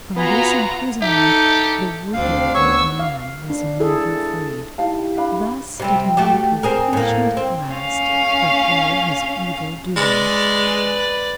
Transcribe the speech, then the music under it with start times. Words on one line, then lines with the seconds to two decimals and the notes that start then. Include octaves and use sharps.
From this imprisonment the wicked old man was never freed. Thus did he meet with punishment at last for all his evil doings.
0.17 B3 F4 F#4 G#5 A#5 B5
1.02 D#4 G4 A4 E5
2.13 D2 D3 C4 D4 F5
2.54 D2 B3 C#5 C#6 E6
2.99 F5
3.50 D4
3.80 E4 G#4 A4
4.78 D#4 E4 G4 F5 A5
5.17 D4 F5 B5
5.80 C3 G3 C4
6.17 A3 F#4 G4
6.63 C4 G#4 A#4
6.93 A2 A#3
7.37 C4
7.71 C#4 F5
9.96 G#3 B4 D5